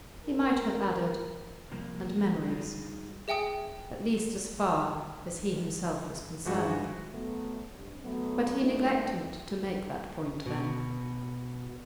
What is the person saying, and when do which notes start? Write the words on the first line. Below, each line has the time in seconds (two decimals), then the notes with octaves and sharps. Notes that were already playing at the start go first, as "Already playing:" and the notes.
He might have added, "and memories," at least as far as he himself was concerned; but he neglected to make that point then.
0.22 A#4
1.72 C3 F3 G3 A#3
2.48 G3 G#3 D#4 F4 F#4 G#4
3.28 G#4 E5 G5 G#5 D#6
6.45 G2 E3 F3 G#3 F#4
7.12 F#3 A3 B3
7.75 G2 C3
8.03 F#3 A3 B3
8.61 G3 A3 A#3 D4 D#4 F4
10.46 B2